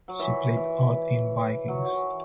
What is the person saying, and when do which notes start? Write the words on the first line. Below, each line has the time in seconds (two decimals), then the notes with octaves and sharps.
She played Aud in "Vikings".
0.08 F#3
0.19 E3
0.57 E3
1.68 F#3
1.85 F#3
1.93 E3